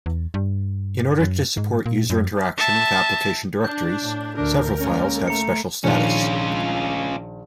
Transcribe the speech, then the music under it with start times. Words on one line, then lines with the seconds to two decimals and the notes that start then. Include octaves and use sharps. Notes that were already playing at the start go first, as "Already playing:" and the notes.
In order to support user interaction with application directories, several files have special status.
0.06 E2
0.34 G2
1.20 F#2
1.57 G#2
1.86 A#2
2.10 F#2
2.58 E5 A5
3.65 D4 G6
4.01 A2
4.37 D2 D4 A#4
4.80 G#3 A#3 C#4
5.28 A3 A#5 C#7
5.84 A#1 D#3 C#4 F4